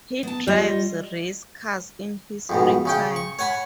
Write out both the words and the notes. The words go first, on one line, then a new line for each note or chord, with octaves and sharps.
He drives racecars in his free time.
B3 A5
G3 F4 C#5 D#5
F2 G#2 B2
C#3 C#4 G5
C#6
C#5 F#5 G#5 B5